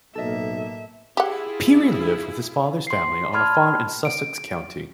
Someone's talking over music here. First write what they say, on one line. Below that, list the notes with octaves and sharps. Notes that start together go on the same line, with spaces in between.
Peery lived with his father's family on a farm in Sussex County.
B1 A2 A#3 A4 D#5 E5
E4 F4 G4 G#4 F#5
C6 C7
D5 A5 B5 C6 F6 G#6
D7